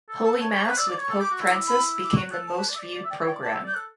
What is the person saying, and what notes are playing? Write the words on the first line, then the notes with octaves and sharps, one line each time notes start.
Holy Mass with Pope Francis became the most viewed program.
A4
A4 A5
C#5 A5
C#5 C#6
B4 F#6
D5 E6
D5 D6
C#5
C#6
A4
G4 D6
F#4
E4
D6
B5
D6
F#4 C#6
A4 F#6
A5
B4
D5
E5
D5
D5
E5
D5 G5
C#5
G5
D5
D5 A5
E5
D5 G6
A4 F#6